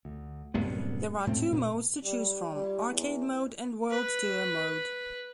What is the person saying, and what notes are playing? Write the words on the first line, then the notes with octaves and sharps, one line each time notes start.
There are two modes to choose from: Arcade Mode and World Tour mode.
D2
C2 F#2 A2 B3
A2 A3 C4
A#2
G3
G3
E2
B4